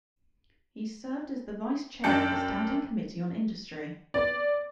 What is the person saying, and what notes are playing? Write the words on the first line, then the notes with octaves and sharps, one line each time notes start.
He served as the Vice-Chair of the Standing Committee on Industry.
F#2 D4 G5 A5 G6 C#7
D5